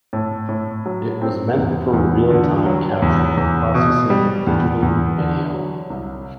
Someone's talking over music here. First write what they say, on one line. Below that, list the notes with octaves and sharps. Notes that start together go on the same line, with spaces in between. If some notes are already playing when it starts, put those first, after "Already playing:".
It was meant for real time capturing and processing of digital video.
A2
A2
F#3
C4
E2
E2
D3
F#3
E2
E2
B2
G3
E2
E2
D3
F#3
C2